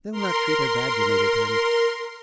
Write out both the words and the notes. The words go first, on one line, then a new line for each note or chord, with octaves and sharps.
They'll not treat her bad, yer may depend.
A#4 C6